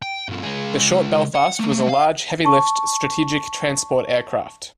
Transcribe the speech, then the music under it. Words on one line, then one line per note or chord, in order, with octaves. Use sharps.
The Short Belfast was a large heavy-lift strategic transport aircraft.
G5
G2 F3
C#2 G#4
F#5
A3 A#3
F5
A5 C#6